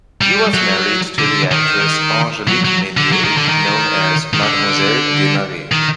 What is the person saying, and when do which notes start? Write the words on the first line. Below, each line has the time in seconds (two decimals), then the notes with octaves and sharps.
He was married to the actress Angélique Mesnier, known as Mademoiselle Desmarest.
0.21 G3
0.54 F#3
1.18 D3
1.51 D#3
2.48 F#3
2.65 F#3
2.97 D3
3.12 F#3
3.25 D#3
3.37 D3
3.49 D#3
4.34 D#3
4.43 D3
5.72 D#3